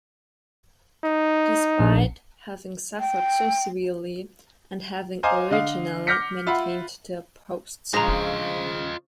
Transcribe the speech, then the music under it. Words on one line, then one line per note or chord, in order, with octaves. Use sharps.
Despite "having suffered so severely, and having originally maintained their posts".
D#4
A#1
G5
C5 D#5 F5 G#5 A#5 D6
D3 D#5 F5
D6 F6 G6 A#6 B6 C#7
F4 E5 F#5 B5
C#3 F3 G#3 D4 F4 D#5 A#5 A#6